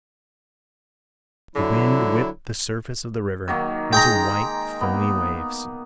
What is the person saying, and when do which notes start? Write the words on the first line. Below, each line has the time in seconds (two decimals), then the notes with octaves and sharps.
The wind whipped the surface of the river into white foamy waves.
1.56 D3 F#3 E4
3.48 D#3 F#3 A#3
3.93 G#3 D#4 G5 A#5
4.81 A#3 B3